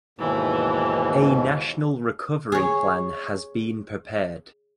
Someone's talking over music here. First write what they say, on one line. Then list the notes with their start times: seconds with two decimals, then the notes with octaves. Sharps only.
A National Recovery Plan has been prepared.
0.19 D#2 G#2 B2 E3
2.52 G#4 C#5